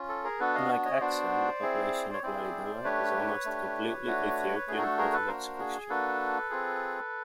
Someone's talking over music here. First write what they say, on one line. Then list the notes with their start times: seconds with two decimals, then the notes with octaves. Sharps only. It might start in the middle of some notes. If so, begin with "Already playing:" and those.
Unlike Aksum, the population of Lalibela is almost completely Ethiopian Orthodox Christian.
Already playing: C#4 F4
0.09 A4
0.24 G#4 A#4
0.40 B3 D4 F#4 A4 B4
0.55 D#5 F5
0.85 C#5 D#5
1.00 B3 D4 F#4 C5 D5
1.62 C4 E4 G#4
2.13 C#5
2.23 C4 E4 G#4 C5 D5
2.84 A3 D4 G4 B4 C#5
3.45 A3 D4 G4
4.06 A3 D4 F#4
4.67 A3 D4 F#4 G#4
4.78 A#4
4.83 A4
4.98 G#4 A#4
5.13 A4 B4
5.28 A#3 D4 F#4 A#4 C5
5.59 G#4
5.90 A#3 D4 F#4 A4 B4
6.50 C4 F4 G#4